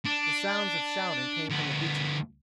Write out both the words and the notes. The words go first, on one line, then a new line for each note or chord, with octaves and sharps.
The sounds of shouting came from the Beecham's.
D4
D2 B3